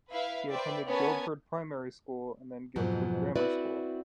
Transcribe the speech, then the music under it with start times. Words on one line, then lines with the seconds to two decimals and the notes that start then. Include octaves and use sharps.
He attended Guildford Primary School and then Guildford Grammar School.
0.11 E4 B4 E5 F5
0.50 B4 C5 D5 E5 G5
0.87 B3 C#4 A#4 C#5 G#5 A5
2.76 F2 G#2 B2 F3 F#3
3.35 C4 E4 F#4 B4 D5